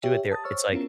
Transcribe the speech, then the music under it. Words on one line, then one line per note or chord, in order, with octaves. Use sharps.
do it there, it's like,
G4 C#5 E5 G5
A5 D#6 A6
C5 C#5 C#6 E6 F6 A6
B3 C#4 E4 F4 A#4